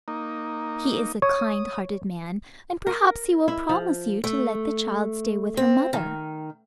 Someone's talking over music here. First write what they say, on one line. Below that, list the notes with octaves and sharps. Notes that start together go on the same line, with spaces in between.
He is a kind-hearted man, and perhaps he will promise you to let the child stay with her mother.
A#3 D#4
C#5 D#6
A#4
E4
F3
A3
C4
D#3